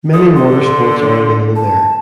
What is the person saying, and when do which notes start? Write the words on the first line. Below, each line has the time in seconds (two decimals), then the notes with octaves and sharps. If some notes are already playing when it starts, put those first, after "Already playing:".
Many water sports are available there.
0.13 D3 D#6
0.35 C6
1.56 A5